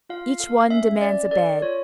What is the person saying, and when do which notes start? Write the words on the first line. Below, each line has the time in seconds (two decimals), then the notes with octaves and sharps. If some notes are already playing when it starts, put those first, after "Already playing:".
Each one demands a bed.
0.09 F4 F5
0.40 A4 F5
0.70 C#4 E5
1.01 C#4 D5
1.31 A4 D5
1.62 F4 C#5